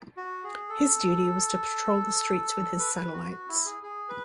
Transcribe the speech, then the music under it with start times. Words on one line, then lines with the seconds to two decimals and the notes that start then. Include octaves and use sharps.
His duty was to patrol the streets with his satellites.
0.17 F#4
0.44 G#4
0.69 A4
2.79 B4
2.95 B4
3.13 F#4
3.31 F#4
3.48 E4
3.66 G#4
3.83 G#4
4.09 B4